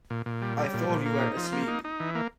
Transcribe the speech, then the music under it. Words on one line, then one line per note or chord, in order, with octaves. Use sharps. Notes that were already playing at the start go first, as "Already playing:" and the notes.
I thought you were asleep.
A#2
A#2
G3
G3
A#2
A#2
A#3
D#4
F3
A#3
D#4
D#4
E3
A#3